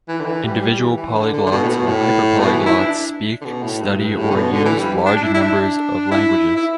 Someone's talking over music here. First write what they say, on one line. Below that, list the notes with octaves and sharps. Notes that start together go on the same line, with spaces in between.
Individual polyglots or hyperpolyglots speak, study, or use large numbers of languages.
E3
D3
E3
G3
G3
E3
E3
D3
D3
D3
B2
A2
B2
A2
B2
E3
E4
D4
D3
B2
A2
G2
G2
A2
D3
B2
D3
E3
G3
D4
D4
E4
E4
D4
E4
E4